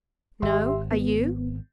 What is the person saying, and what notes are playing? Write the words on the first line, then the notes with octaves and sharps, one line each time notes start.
"No; are you?"
G#1 G4 E5 C6
B3